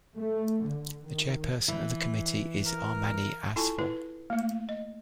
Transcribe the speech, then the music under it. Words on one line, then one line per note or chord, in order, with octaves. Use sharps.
The Chairperson of the Committee is Armany Asfour.
A3
D3
D#3
E3
A#4
E4 F4 A4 G#5 A5 C#6
E4 B4
A3 A#3
D#5